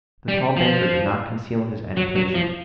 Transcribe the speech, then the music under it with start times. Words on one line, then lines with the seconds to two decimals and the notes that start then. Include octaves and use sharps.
The tall banker did not conceal his agitation.
0.28 G3
0.57 F3
1.97 F#3
2.16 F#3
2.35 F3